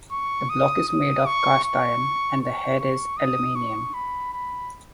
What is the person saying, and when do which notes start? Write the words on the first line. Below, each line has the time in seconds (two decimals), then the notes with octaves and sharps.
The block is made of cast iron and the head is aluminium.
0.12 C#6
0.50 D#6
0.89 D#6
1.26 C#6
1.64 C#6
2.41 C#6
2.80 C#6
3.18 D#6
3.55 C#6
3.94 B5
4.33 B5